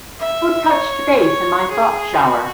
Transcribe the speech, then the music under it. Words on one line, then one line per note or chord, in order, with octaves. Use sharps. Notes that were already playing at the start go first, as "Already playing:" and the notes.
Who Touched Base In My Thought Shower?
E5
C#5
C#5
G#4
F#4